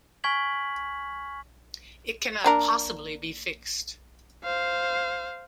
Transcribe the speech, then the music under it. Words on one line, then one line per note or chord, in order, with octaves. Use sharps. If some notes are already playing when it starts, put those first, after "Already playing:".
It cannot possibly be fixed.
G#5 C#6 F6 G#6 B6 F#7
A#3 D4 A#4
C5 F5